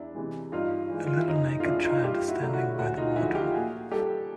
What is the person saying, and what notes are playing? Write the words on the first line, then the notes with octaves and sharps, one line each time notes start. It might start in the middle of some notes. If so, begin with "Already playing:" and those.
A little naked child is standing by the water.
Already playing: E2 D4 E4
C3 E3 G#3
G2 D#4 F4
E3 G#3
F4
E4
F#2 D#4
D#4
F4
D#3 G#3 D4 E4
D#4 F4
G2 F4 G4
E4 F#4
D3 F#3 A3
E4 F#4
D2 E4 F#4
D#4 F4
D3 F3 G#3 E4 F#4
F4 G4
A#2 F#4 G#4
G3 G4 A4